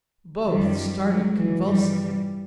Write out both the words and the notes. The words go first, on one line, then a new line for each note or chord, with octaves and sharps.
Both started convulsively.
F#2 D#3 F3 G3
F#3 G#3
E3 F#3
G2 E3 F3 G3